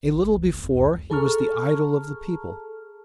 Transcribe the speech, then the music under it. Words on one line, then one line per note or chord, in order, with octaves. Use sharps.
A little before, he was the idol of the people.
A#1
G1
C#2
F#1
F2
C#2
G#4 A4 A5 A#5 C#6 F6